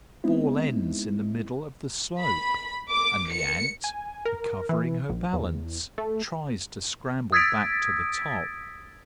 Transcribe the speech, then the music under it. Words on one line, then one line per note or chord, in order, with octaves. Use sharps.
The fall ends in the middle of the slope; and the Ant, recovering her balance, tries to scramble back to the top.
G#3 B3 C4 D#4 E4
B5
D6
C#7
G#5
A#4
E3
A#1
E2
A3
D#6 E6 G#6 A6 B6 D7